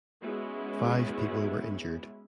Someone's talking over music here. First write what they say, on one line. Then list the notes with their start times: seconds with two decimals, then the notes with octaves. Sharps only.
Five people were injured.
0.22 G#3 B3 C#4 E4 F#4